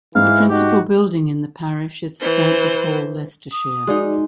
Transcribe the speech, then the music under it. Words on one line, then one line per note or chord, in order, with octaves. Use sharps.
The principal building in the parish is Stanford Hall, Leicestershire.
G#2 E3 F5
D#4 F#4 G4
E3 C5
D#6
G#3 D#4 F#4 G#4 D5